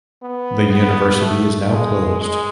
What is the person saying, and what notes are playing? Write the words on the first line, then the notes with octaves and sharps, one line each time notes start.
The university is now closed.
B3
B3
A3
G#3
G#3